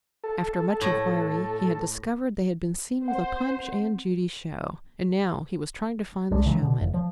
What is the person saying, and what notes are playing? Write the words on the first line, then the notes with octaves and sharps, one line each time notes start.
After much inquiry he had discovered they had been seen with a Punch-and-Judy show and now he was trying to find the showmen.
A4
A2
C4 C5 F#5
C2 G#3 D4
C#3 E3 F#3 G#3
B2 D3
F1
F3